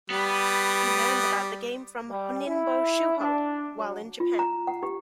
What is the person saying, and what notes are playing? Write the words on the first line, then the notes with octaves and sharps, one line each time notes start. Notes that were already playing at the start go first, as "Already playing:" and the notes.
He learned about the game from Honinbo Shuho while in Japan.
G3 B3
G3
E4
D4
F#3
F4
A#5
F#5
G4